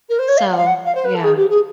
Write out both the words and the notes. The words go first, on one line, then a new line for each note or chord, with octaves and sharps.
So, yeah.
A#4
C5
C#5
F5
F#5
F5
F#5
F5
C5
B4
A4
G#4
G4
G#4